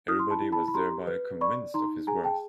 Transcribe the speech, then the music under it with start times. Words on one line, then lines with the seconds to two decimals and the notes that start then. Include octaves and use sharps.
Everybody was thereby convinced of his worth.
0.08 E4 D#6 F6
0.19 C6
0.30 A5 B5
0.41 E4
0.52 A5 B5
0.68 B5
0.74 G4 A#5 C6
1.07 B4
1.41 D5 B5 C#6
1.74 D#4 A#5 C6
2.07 G#4 G#5 A#5
2.24 G5 A5